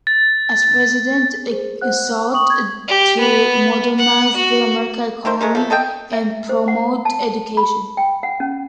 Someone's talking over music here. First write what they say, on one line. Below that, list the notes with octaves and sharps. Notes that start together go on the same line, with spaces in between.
As president he sought to modernize the American economy and promote education.
A6
G#4 C5
C5 F#5 F#6
G5 C#6 D#6 F#7
G#6
G4
B3
F#5
F#4
D#3 A#4 C5
G#3 A3 A#4
F3 A3
A4 D#5 E5 G5
E5
C5
F#5
A5
B5
G5
F#5
C#4